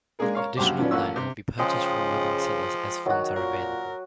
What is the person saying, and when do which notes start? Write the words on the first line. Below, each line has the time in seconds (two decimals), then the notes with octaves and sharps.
Additional land will be purchased from willing sellers as funds are available.
0.19 G#3 A#3 D4 G#4 A#4
0.35 A#4 C#5 F5
0.57 A#1 F#2 F#4 G4 C5 D6
0.79 D#3 F3 F#3 B3 C#4 D4
0.91 A1 A#2 A#3 C#5 F#5 E6
1.16 C3
1.59 C#3 F3 G#3 G5
3.06 D#3 F#3 F#4
3.36 A#2 A#4